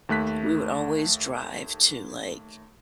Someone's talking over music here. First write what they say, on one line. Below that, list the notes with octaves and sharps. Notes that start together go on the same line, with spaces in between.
we would always drive to, like,
D#2 A3 F#6 B6